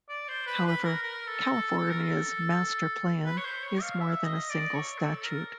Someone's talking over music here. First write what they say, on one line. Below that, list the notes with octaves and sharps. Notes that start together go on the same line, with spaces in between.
However, California's Master Plan is more than a single statute.
D5
C5
B4
B4
A#4
A#4
A4
A4
A4
A#4
A4
B4
C#5
C5
C#5
F5
E5
D#5
D5
C#5
A4
A#4